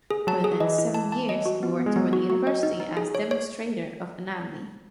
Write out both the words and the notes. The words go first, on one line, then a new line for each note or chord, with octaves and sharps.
For the next seven years, he worked for the University as Demonstrator of Anatomy.
G#4
F#3 A5
G#4
E3 D#5
E4
A5
A5
D#5
F#4
B3
B3
G#3
F#3 B3
F#4
F#4
D#5
D#4
D#4
G#4
C#5
C#5